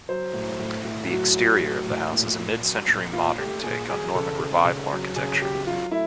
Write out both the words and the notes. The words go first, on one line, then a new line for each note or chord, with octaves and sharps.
The exterior of the house is a mid-century modern take on Norman revival architecture.
F#3 C5
A2
A2
A2
F#3 F#4
F#3
A2
A2
A#2
A#2
F#3
A#2
A#2 F4
A3 G4
A#2 G#4
F#3 G#4
C#3 A4
C#3
C#3
F#3
C#3 G#4
F#3 G4
F#3 F4
A3 E4